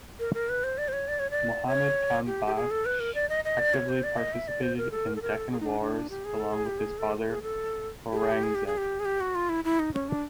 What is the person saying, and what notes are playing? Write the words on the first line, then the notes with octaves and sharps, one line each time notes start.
Muhammad Kam Bakhsh actively participated in Deccan wars along with his father Aurangzeb.
A#4
A#4
B4
C5
D5
C5
C#5
D5
C#5
D5
C#5
G4
G4
G#4
A4
B4
A#4
D5
D#5
D#5
D5
C#5
C5
D5
D#5
E5
D5
C5
A#4
A4
A#4
A4
A#4
A4
G#4
D#4
D4
D4
G4
G#4
A4
G#4
G4
G#4
A4
G#4
A4
G4
G#4
G4
G#4
G4
G#4
G4
G#4
G4
F#4
F4
E4
E4
D#4
C#4
D4